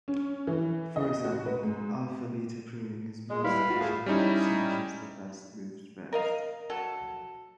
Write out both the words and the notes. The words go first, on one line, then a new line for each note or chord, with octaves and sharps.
For example, alpha-beta pruning is most efficient if it searches the best moves first.
C#4
E3
D#5
F#4
B4
G#2
G#3 D#5
G3 E4 B4 F5 B5
F4 F#4
A2 G#4 A4
G3 C#4 D#4 E4
A#4 D#5 F5
F#3 A4